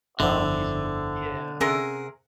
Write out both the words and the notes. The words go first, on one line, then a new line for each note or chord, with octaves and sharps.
Oh, he's m yeah.
G1 F2 D3 F3 C4 E4
C3 C#4 G#4 A#4 F#5